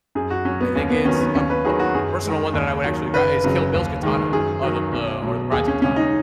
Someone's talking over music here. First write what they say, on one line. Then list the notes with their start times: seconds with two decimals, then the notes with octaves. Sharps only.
I think it's a p a p a personal one that I would actually gra is Kill Bill's katana or the the or the bride's katana.
0.15 F#2 G#4
0.30 F#4
0.45 F#3 C#4
0.61 B3
0.75 D#2 C#4
0.90 B3
1.05 D#3 F#3 C#4
1.20 B3
1.35 D#2 C#4
1.50 B4
1.65 D#3 F#3 G#4
1.79 F#4
1.94 F#2 G#4
2.25 D#3 G#3
2.54 D#2
2.84 D#3 F#3
3.14 F#1 B4
3.44 F#2 C#3 F#3
3.74 D#2
4.03 D#3 G#3
4.32 F#2 G#4
4.63 D#3 F#3
4.92 B1
5.23 B2 F#3
5.52 D#2 G#4
5.68 C#4
5.82 C#3 G#3 C#4
5.96 D#4